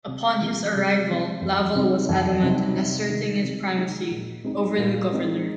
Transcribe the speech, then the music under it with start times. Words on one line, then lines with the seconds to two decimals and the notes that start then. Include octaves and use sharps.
Upon his arrival, Laval was adamant in asserting his primacy over the governor.
0.07 C3
0.41 F3 G#3 C4
0.75 C3
1.09 F3 G#3 C4
1.41 F2
1.75 C3 G3 C4 D#4
2.09 F2
2.43 C3 G3 C4 D#4
2.76 C3
3.10 D#3 G#3 D#4
3.43 C3
3.77 D#3 G#3 D#4
4.11 A#2
4.44 G#3 C4 D#4
4.78 A#2
5.12 G#3 C4 D#4